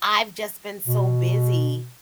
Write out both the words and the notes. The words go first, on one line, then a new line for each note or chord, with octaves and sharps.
I've just been so busy,
B2